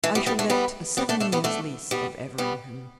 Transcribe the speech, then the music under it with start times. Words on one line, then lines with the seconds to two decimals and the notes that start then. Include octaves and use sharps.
I shall let a seven years' lease of Everingham.
0.04 E3 A3
0.15 G3 B3
0.26 G3 B3
0.39 A3 D4
0.50 G3 B3
0.97 G3 B3
1.09 A3 D4
1.20 A3 D4
1.32 G3 B3
1.44 A3 D4
1.91 G3 B3
2.38 G3 B3